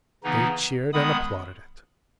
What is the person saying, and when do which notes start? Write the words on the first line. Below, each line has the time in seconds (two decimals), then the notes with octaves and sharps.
They cheered and applauded it.
0.23 C#3 E3 B3 D#4
0.93 D#3 G#3 B3 B5 D#6